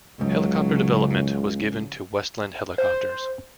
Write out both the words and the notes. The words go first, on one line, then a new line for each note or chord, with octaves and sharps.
Helicopter development was given to Westland Helicopters.
C#2 G#2 C#3 F#3
C5